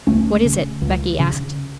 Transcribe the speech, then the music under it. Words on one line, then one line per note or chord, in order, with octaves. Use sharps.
'What is it?' Becky asked.
C#2 A3 C#4
C#3
C#2
C#3